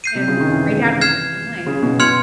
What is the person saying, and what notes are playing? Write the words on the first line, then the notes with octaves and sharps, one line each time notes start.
And my dad was the same way.
G6 C7 D#7
C3
C#3
D#3
E3
F6 G#6 C7 E7
C#3
B2
B2 C6 F6 G#6 C#7 F7